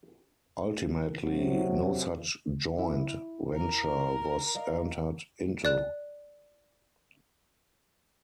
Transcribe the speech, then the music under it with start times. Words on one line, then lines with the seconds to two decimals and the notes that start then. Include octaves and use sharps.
Ultimately no such joint venture was entered into.
1.23 C3 F#3
2.79 E4
3.55 A#4
4.55 D5 D#5 F5
5.65 D5 F#6